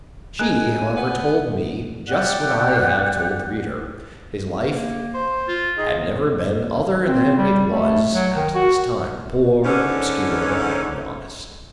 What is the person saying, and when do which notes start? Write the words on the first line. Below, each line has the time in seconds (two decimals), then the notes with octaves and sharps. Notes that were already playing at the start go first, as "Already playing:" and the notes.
She, however, told me just what I have told the reader; his life had never been other than it was at this time, poor, obscure and honest.
0.39 G#3 A#4 G#5 F#6
0.96 B3
2.08 G4 D5 F#5 F#6
4.68 A#3
5.14 C5
5.48 F4
5.78 D#4 G#4
7.08 C4
7.38 G3
7.67 A3
8.13 F#3
8.36 D#3
8.55 F#4
9.65 G#2 D3 C#4